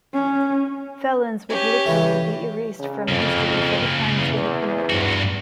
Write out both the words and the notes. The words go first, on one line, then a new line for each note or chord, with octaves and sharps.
Felons would literally be erased from history for the crimes they had committed.
C#4
C#4 G4
C#3 E3 A3
C#3
F2 C#3 A#3
E2
G2 F#4